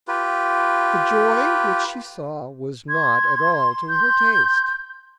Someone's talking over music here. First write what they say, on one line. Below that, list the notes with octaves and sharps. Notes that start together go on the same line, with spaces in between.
The joy which she saw was not at all to her taste.
F4 G4 B4
C6 G#6
G6